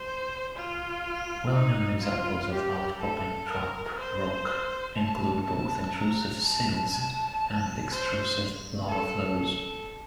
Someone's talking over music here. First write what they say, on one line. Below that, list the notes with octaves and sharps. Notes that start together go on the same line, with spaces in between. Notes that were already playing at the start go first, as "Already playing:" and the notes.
Well-known examples of outcropping trap rock include both intrusive sills and extrusive lava flows.
Already playing: C5
F4
D#4
F4
G4
A4
A#4
C5
A5
A5
A#5
A5
A5
C5
A4
A4